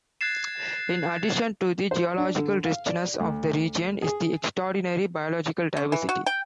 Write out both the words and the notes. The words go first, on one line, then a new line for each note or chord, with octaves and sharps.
In addition to the geological richness of the region is the extraordinary biological diversity.
F#6 G#6 A6 C7 E7
C5
D4
D3
F5
D5
D2
G#4
C#4
E3
F#4
G5